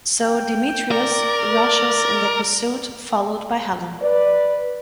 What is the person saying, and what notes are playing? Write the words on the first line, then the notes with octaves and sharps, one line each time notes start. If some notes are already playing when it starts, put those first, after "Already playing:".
So Demetrius rushes in their pursuit , followed by Helen.
G5
A#4 D5
B4 D5